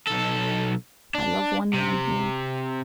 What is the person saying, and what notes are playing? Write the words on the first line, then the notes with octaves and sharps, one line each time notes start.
I love one man here.
B1 A4
D4
C3